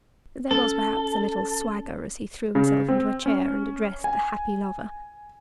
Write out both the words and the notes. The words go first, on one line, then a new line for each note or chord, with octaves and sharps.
There was perhaps a little swagger as he threw himself into a chair and addressed the happy lover.
C#4 A4
C#3
C4
C#4
G#5